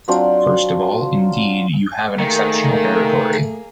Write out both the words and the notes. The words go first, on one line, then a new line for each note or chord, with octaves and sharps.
First of all, indeed, you have an exceptional territory.
F#3 C4 D4 F4
D#3 A3 A#3 G#4 A#4